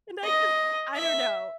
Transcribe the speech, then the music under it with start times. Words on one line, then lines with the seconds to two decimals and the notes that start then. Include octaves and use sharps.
and I just, I don't know.
0.23 D#5
0.96 E5